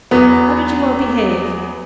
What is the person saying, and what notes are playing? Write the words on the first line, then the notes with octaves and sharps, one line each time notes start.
How did you all behave?
E2 F#3 B3